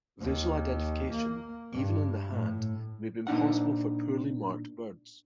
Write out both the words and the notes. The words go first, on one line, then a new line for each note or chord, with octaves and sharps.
Visual identification, even in the hand, may be impossible for poorly marked birds.
D#2
A#3
G2
A2
A#2 D4 D#4 F#5